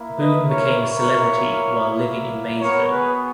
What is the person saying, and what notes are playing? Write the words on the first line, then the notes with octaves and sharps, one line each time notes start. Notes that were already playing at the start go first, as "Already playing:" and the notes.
Boone became a celebrity while living in Maysville.
Already playing: A#3 E4
B4 D#5
A#4 C#5
A#4 C#5
B3 F#4 A#4 C#5
G#4 B4